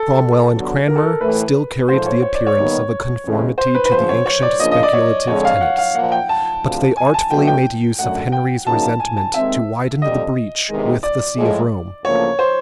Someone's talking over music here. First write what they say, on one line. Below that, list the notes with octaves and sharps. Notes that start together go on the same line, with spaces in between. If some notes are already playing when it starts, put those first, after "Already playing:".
Cromwell and Cranmer still carried the appearance of a conformity to the ancient speculative tenets; but they artfully made use of Henry's resentment to widen the breach with the see of Rome.
Already playing: A4
D3 F#3 B3
A#4
A4
A#4
A2 E3 A3 B4
G#2 F3 A3 C5
C#5
C#5
D5
C#5
D#2 D#3 G3 B3 D#4
F2 C#3 E3 G#3 C#4
C5
B4
B4
E2 C#3 F3 C5
C#5
C#5
D5
C#3 F3 A#3 D4 F4 D#5
D#5
D5
C#5
F2 D3 F3 G#3 C#5
F5
F#5
F5
A#2 F3 A#3 F#5
G5
A5
D2 C3 F3
G#5
A5
B2 F#3 A3 D4 F#4 G5
G5
F#2 D3 F#3 A3 F#5
G5
C#3 F3 A#3 D#4 F#4 A5
A5
G#5
A5
D#2 D#3 G#3 C4 E5
F2 D3 G3 D#5
E2 C3 D#3 G#3
D5
A2 F3 G#3
D2 C#3 F3 A#3 C#5
C5